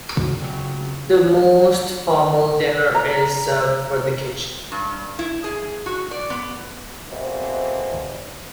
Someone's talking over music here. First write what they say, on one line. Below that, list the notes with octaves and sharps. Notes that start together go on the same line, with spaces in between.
The most formal dinner is served from the kitchen.
F#4
F2 C#3 F#3
A#5
G2
E4
G#4
F#4
D5
B3
A1 E2 B2 E3 A#3 C4